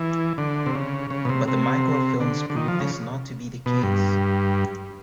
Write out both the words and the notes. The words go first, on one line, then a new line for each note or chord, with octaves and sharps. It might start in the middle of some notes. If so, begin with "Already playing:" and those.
But the microfilms prove this not to be the case.
Already playing: E3
D3
C3
C#3
C#3
B2
C3
C3
D3
D3
D#3
F3
C#3
B2
G2